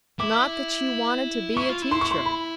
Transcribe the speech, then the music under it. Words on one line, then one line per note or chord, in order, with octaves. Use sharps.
Not that she wanted to be a teacher!
E4 D6
E4 C#6
F4
E4
C6
C#6
C6
B5